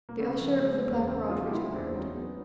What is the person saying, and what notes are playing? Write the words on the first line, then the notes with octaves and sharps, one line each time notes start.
The Usher of the Black Rod retired.
A#3
C#3 A3 B3
F3
G#3
E2
C#3 A#3 C4
F3 D#4 F4
G4
G#3 E4 F#4
E2 C4 D4
F#3 C#4 D#4
B3